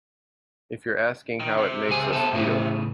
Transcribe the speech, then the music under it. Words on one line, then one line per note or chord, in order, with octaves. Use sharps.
If you're asking how it makes us feel?
D#3
C3
C#2 G#4
B3 A4
A2 C#3 E3